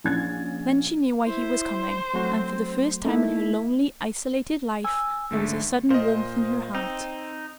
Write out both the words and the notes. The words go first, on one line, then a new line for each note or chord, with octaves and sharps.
Then she knew why he was coming, and for the first time in her lonely, isolated life, there was a sudden warmth in her heart.
A#1 C#4 G#6 A6
E4 C5
F#3 A3 C4 F#4
A3 A#3 D#4 E4
G#5 E6
G#2 D3 A3
A#2 C5 D#5
C4 D#4